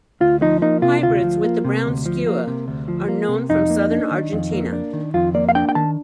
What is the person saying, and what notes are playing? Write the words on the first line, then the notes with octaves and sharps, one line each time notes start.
Hybrids with the brown skua are known from southern Argentina.
D2 F4
F3 D#4
A#3 D#4
C3 F4
D2 F4
F3
A#3
C3
D2
F3
A#3
C3
D2
F3
A#3
C3
F2 D#4
A#3
D4
D#3
F2
A#3
D4
D#3
F2 F4
A#3 D5
F5
D4 G5
G5
D#3 A5